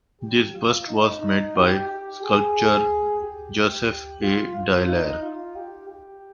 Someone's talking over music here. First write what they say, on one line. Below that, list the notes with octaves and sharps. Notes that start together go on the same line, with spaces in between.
This bust was made by sculptor Josef A. Dialer.
G4
F4
D#4
D#4
G4
G4
G#4
G4
F4
F4
D#4
F4
G4
G4